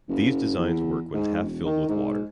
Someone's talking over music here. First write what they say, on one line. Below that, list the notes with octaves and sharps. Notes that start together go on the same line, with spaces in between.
These designs work when half filled with water.
F#1
E2
G#2
E1
D#3
G#2